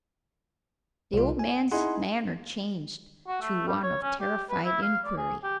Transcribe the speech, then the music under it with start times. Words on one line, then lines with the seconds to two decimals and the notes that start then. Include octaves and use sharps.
The old man's manner changed to one of terrified inquiry.
1.13 C2 F4
1.39 G#5
1.72 D#4 E4 G#4 F#5 C6
3.27 F#4
3.42 A3
3.68 G3
3.83 C#5
4.02 C#4
4.21 G4
4.49 B4
4.65 E4
4.82 F5
5.05 D5
5.17 G#4
5.44 G4